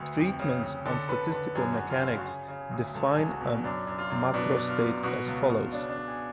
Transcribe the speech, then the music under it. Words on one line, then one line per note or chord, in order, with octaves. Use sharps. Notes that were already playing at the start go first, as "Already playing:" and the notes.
Treatments on statistical mechanics, define a macrostate as follows.
Already playing: D2 B4
F2
C#3
C#3
D3 A4
D3 B4
D3 B4
F#2 G#4
F#4
F#2
F4
C#3
G#4
F#4
C#3 G#4
C#3
G#4
D2
C#2 A4
G#4
C#2
F#4
B2
F#4
F#2 D4
F#2
F4
F#2
B2 D4
B2
F4
B2
B2 F#4
C#2
F4
B2
C#3 D4
D4
C#3
G#4